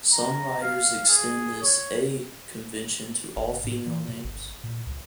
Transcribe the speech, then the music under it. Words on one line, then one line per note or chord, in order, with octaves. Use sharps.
Some writers extend this "-a" convention to all female names.
A#5
F5
G#4
C#5
G1
A2
E3
B2
G1
A#2
C#2